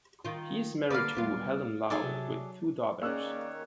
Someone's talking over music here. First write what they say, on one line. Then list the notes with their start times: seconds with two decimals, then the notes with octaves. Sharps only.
He is married to Helen Lau with two daughters.
0.25 D#3 F4
0.90 D3 A#3 B4 D5 F5
1.15 D#2 G3 B3 F4
1.90 F#3 D#4 G#4 A4 D5
2.03 C3
3.02 D#3 A#3 C#4 G#4 C#5 D5 E6 F#6